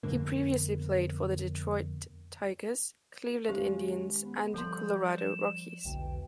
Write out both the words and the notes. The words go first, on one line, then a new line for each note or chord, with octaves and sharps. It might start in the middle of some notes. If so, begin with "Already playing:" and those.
He previously played for the Detroit Tigers, Cleveland Indians, and Colorado Rockies.
F2 B2 D3 A#3
F2 D#3 G#3 C#4 G4 C5 F5
B3
F3 G3 A4 C6 G6
E7
B1 E2 B2 D3 G5
E3